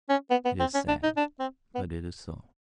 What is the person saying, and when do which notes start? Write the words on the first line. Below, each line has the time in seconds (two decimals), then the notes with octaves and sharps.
It is sad, but it is so.
0.09 C#4
0.31 B3
0.45 B3
0.60 C4
0.74 C#4
0.88 D4
1.04 D#4
1.17 D4
1.40 C4
1.75 B3